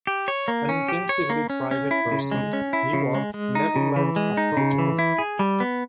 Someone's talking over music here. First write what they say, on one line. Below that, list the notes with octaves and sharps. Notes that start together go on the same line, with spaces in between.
An intensely private person, he was nevertheless approachable.
G4
C#5
A#3
C#4
G4
C#5
A#3
C#4
C#4
E4
C#3
G#3
C#4
E4
C#3
G#3
G#3
D#4
C#3
E3
G#3
D#4
C#3
E3
E4
G#4
G3
B3